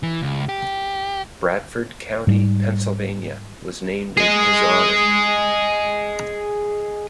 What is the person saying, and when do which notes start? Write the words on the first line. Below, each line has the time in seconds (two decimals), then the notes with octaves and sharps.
Bradford County, Pennsylvania, was named in his honor.
0.03 E3
0.22 C#2
0.49 G4
2.27 G#2 G3
4.18 G#4 D#5